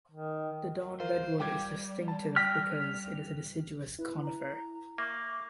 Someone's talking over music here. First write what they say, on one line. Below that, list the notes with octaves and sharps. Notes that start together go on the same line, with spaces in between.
The Dawn Redwood is distinctive because it is a deciduous conifer.
D#3
F4 A#4 C5
G3 G5 D6 G#6
A5
G5 F6 F#6 A#6 B6
E4 B4
A#5
A#3 E5 C#6 D6